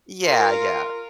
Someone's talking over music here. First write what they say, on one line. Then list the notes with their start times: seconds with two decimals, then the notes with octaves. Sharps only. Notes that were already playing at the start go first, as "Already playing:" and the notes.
Yeah, yeah.
0.24 F4 A#4